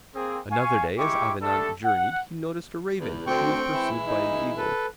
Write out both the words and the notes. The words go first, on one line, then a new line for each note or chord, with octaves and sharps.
Another day as Avenant journeyed he noticed a raven who was pursued by an eagle.
A#3 C4 G#4
F5 G#5 C#6
G#3 E4 G4 G5 C#6 D6
G3 A3 D4 A4
F#5
E2
D2 C4 G5 C#6
E3 G#3 E4
D#4
A4 B4